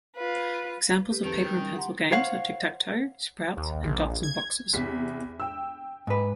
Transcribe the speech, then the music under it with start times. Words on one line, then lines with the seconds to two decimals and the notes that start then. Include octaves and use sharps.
Examples of paper-and-pencil games are Tic-tac-toe, Sprouts, and Dots and Boxes.
0.16 F4 B4
1.11 G4 B4
1.24 F2 D#3 C4 A4
1.44 G5
1.57 G3 C#4 G5
1.76 G4 F#5 A#5 C6
2.12 C5 C#5 F5 F#5
3.57 D#2
3.83 A#1
4.23 G#6
4.73 E2 C3 B6
5.40 G5 E6
6.07 G#2 B4